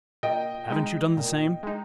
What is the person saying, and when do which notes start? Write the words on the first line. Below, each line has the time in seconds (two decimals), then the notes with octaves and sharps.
Haven't you done the same?
0.23 A#2 D#5 G5
0.70 G#3 D#4
1.17 A#2
1.63 G#3 D#4